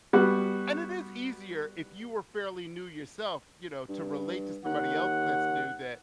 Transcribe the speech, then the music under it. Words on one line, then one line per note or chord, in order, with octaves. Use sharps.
and it is easier if you are fairly new yourself, you know, to relate to somebody else that's new that
G3 B3 F#4 F#5
G2
D#2 F#5